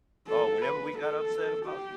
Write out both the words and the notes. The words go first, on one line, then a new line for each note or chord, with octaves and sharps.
Oh, whenever we got upset about the
A4
B4
A4
G4